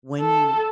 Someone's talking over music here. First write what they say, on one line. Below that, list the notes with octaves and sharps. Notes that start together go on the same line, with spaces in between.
when you
A4